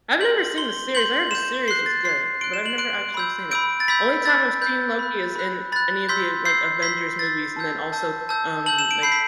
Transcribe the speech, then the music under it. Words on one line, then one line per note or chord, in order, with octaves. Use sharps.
I've never seen the series. I heard the series was good, but I've never actually seen it. Only time I've seen Loki is in any of the, like, Avengers movies. And then also, um, like,
C6 G6 F#7
C6 G6 G7
C6 G6 F#7
C6 G6 E7
C6 F#6 C7
A6
C6 F#6 C7
C6 F#6 D7
E7
F#7
C6 F#6 D7
B5 E6 G6
B5 E6 G6 D7
A6
B5 E6 G6 B6
B5 E6 G6 A6
B5 F#6 G6
B5 F#6
B5 F#6
B5 F#6 A6
C6 E6 G6 B6
C6 E6 G6 C7
C6 E6 G6 B6
C6 E6 G6 A6
A5 E6 G6
A5 E6 G6
A5 E6 G6
A5 E6 G6 F#7
E7
D7
B5 E6 G6 C7
B6